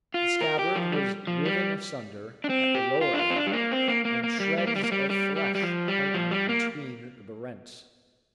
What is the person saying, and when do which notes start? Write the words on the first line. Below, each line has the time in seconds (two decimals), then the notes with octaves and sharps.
The scabbard was riven asunder at the lower end, and shreds of flesh hung out between the rents.
0.14 F4
0.41 A#4
0.59 G4
0.76 F3
0.92 G3
1.27 F3
1.45 G3
2.44 D4
2.50 C4
2.75 G4
3.01 F4
3.14 D4
3.19 F4
3.30 C4
3.36 D4
3.47 G3
3.53 A#3
3.71 C4
3.88 A#3
4.05 A#3
4.23 A#3
4.40 G3
4.58 G3
4.67 A#3
4.76 G3
4.84 A#3
4.92 G3
5.10 G3
5.36 G3
5.55 G3
5.62 F3
5.88 G3
6.14 F3
6.31 G3
6.49 A#3